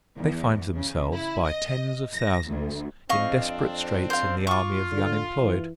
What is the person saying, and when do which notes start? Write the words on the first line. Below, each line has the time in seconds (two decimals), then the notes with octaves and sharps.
They find themselves, by tens of thousands, in desperate straits in the army of the unemployed.
0.17 E2
0.74 C#3
1.13 E4
1.45 D#5
2.15 A#6
2.50 D2
3.09 F2 C4 D4 D#5 F5 C#6
4.10 C5 F5
4.47 F4 C#6 D6
4.91 D3
5.41 E3